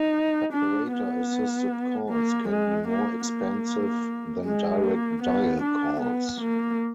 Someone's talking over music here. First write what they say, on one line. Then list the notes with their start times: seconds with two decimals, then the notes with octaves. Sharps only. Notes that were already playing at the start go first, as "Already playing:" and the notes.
Operator-assisted calls can be more expensive than direct dial calls.
Already playing: D#4
0.53 D4
0.92 B3
2.09 A#3
2.49 G#3
2.88 A#3
3.27 A#3
4.45 G#3
4.84 A#3
5.23 B3
5.62 D4
6.01 B3
6.41 A#3